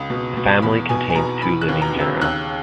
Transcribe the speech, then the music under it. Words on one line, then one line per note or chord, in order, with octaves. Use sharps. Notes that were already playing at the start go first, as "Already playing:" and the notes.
The family contains two living genera.
Already playing: C#2 D#6
B2
B2
E2 B5
B2 G#5
G#5
B2 A#5
E3 B5
F#6
D#2
A#5
C#3
E6
D#2 F#6